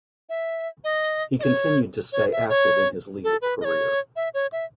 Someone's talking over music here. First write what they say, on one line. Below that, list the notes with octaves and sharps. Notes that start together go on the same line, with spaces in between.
He continued to stay active in his legal career.
E5
D#5
D#5
C#5
C#5
E5
C#5
A4
B4
D#5
C#5
E5
C#5
E5